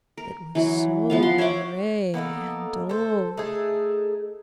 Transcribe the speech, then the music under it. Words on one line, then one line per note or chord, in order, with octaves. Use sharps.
It was so gray and old.
A#4
E3 F#3
F3 B3 F5
C6
C#5 E5 F#5 D6
A#3 B3 D#4 A4
A4 C5
A3 D#4 G#4